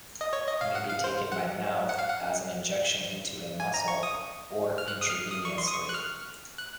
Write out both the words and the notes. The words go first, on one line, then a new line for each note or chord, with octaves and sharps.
It may be taken by mouth, as an injection into a muscle, or intravenously.
D#5
C#5
D#5
F5
F#5
F5
C5
F#5
F#5
F5
F#5
G#5
A#5
C#6
D#6
F6
F#6
D#6
F6
D#6
C#6
C6
D#6
C#6
F#6
F6
F#6